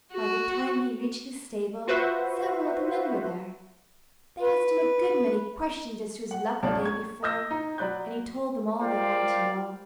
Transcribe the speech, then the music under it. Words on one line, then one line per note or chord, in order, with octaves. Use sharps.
By the time he reached the stable, several of the men were there. They asked him a good many questions as to his luck the day before, and he told them all they wanted to know.
F#4
F4 F#4 B4 C5 E5 F#5
B4
F#5
C#2 G2 C#4 D5 A5
C#6 G#6
D#5 D#6 E6 G6 A#6
D#4
F#3 D5 B5 F#6 G6
F4 A#4 C5 D5 F5 G5